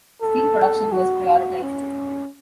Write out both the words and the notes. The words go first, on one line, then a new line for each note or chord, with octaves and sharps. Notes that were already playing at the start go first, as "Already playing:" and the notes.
Steel production was prioritized.
A4
F#4
C#4